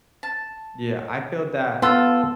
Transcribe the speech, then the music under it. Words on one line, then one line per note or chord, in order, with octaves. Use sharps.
Yeah, I feel that
A5
B3 F4 A4